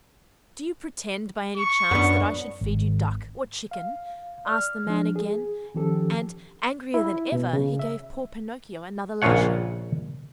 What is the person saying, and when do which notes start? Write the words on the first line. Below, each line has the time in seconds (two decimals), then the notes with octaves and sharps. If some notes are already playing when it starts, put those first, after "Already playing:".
"Do you pretend, by any chance, that I should feed you duck or chicken?" asked the man again, and, angrier than ever, he gave poor Pinocchio another lashing.
1.57 C#6
1.91 F#2 B3 D4
2.61 G#1
3.71 F5
4.46 D5 F6
4.87 F3 D4
5.16 G#4
5.74 D#3 F3 C#4 G4 A4
6.94 E4
7.32 B2
7.53 C#3
7.79 E5
9.22 A#1 A#2 C#3 F4 C#5 F#5